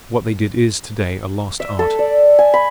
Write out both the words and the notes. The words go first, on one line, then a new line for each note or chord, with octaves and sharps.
What they did is to-day a lost art.
E5
A4
D5
G#5
B5